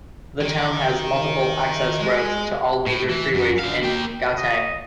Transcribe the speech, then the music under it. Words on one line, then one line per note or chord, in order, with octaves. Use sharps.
The town has multiple access roads to all major freeways in Gauteng.
D#3
G#3
A2
E3
F#2
D3 F5
A#3 G5
D#5